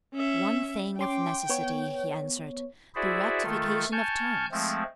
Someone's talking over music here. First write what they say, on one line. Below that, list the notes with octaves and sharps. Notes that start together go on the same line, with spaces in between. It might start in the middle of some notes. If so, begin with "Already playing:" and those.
"One thing of necessity," he answered--"the rectification of terms."
C#4 E5
C#4 G5 C6 D6
B3 C#5
E4 F#4 G#4 C5 D5 E5
D#3 A3 F4 A4
G#5 A5 C#6 F6 G6
F3 G#3 A3 C4